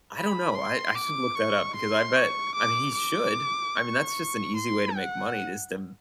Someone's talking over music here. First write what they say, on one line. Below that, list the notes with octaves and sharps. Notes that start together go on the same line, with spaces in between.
I don't know, I I should look that up because I bet I mean, he should. I mean, that's just an easy way to make money is to m
B5
C6
D6
C#6
C6
C#6
D6
D6
C#6
C6
F#5